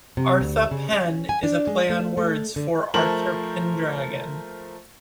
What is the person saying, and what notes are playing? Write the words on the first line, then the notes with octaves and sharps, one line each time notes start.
Artha Penn is a play on words for Arthur Pendragon.
C3
D2
C#3
C#4
G#5
D4
G#3
A3
A3
D3
F3 A3 A#4 C5 A5 F#7